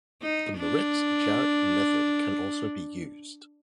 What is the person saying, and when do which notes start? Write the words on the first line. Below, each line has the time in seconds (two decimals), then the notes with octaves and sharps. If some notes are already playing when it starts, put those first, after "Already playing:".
The Maritz-Jarrett method can also be used.
0.22 D#4
0.58 D4